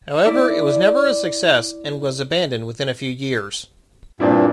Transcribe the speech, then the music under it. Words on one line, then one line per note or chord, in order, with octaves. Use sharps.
However, it was never a success, and was abandoned within a few years.
E4 D5
G2 A#2 C4 D4 E4